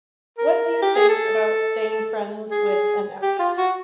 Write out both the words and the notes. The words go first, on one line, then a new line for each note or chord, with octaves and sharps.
What do you think about staying friends with an ex?
A#4
G4
G#4
A4
G#4
G4
F4
F#4